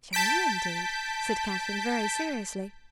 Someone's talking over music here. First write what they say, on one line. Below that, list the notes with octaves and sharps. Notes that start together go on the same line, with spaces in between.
"Shall you indeed!" said Catherine very seriously.
A5 G6 B6 D7